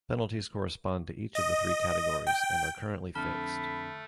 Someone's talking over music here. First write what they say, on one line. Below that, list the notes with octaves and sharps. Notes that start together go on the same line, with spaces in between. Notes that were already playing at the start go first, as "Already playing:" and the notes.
Penalties correspond to each of the three categories and are currently fixed.
D#5
G5
F2 D3 A3 A5 B5 F6 G7